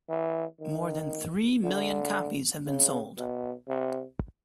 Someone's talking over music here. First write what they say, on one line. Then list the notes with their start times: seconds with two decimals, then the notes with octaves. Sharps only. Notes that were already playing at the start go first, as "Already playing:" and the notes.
More than three million copies have been sold.
0.09 E3
0.60 D#3
1.63 D3
2.66 C#3
3.17 B2
3.68 C3